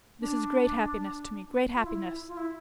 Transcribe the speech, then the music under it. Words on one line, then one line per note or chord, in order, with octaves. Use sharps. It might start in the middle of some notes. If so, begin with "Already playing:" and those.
'This is great happiness to me, great happiness.
D4
F4
E4
F4
E4